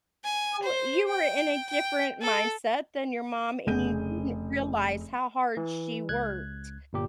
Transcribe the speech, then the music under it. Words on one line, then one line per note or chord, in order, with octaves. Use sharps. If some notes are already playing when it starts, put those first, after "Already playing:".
know, you were in a different mindset than your mom, and you didn't realize how hard she worked
G#5
C5
G5
G5
A4
F1 C#3 G#4 G6 D#7
E3
C#2 F#6 G#6
G1 A#2 G4